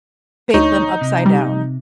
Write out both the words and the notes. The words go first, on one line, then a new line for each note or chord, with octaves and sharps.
bake them upside down.
D2 D#4 C#5
C3
G3